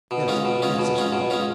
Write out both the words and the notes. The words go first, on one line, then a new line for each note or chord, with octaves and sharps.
Yes, yes, it's Walt.
B2
G#3 C#4 F4
B2
G#3 C#4 F4
B2
G#3 C#4 F4
B2
G#3 C#4 F4